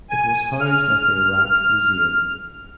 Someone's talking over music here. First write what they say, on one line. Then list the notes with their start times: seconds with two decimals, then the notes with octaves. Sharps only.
It was housed at the Iraq Museum.
0.10 G#5
0.61 F6